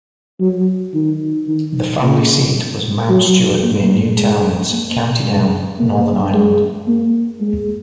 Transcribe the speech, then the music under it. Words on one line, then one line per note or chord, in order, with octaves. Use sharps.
The family seat was Mount Stewart near Newtownards, County Down, Northern Ireland.
F#3
D#3
D#3
A#2
F#3
A#3
G#3
A#3
G#3
A#3
G#3
A#3
G#3